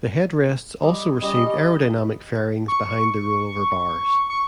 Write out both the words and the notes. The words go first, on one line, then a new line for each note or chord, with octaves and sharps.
The headrests also received aerodynamic fairings behind the rollover bars.
G3 D#5 D6
G3 C#4 G4 D#5
C#6
C#6